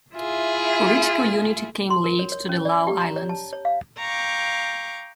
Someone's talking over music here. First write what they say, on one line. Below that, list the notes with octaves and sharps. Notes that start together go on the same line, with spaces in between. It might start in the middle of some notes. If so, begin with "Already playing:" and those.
Political unity came late to the Lau Islands.
E4 F4 G#4 E5
C6
A#4
C#5
C#5
C#4
D5
G4
A#5
C#5
A5
C#5
F5
F5 G5 A#5 C#6 D6